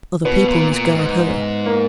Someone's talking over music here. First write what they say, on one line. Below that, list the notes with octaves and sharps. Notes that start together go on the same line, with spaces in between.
Other people must guard her.
B2 B3
A#2
A#2
G#2
A#3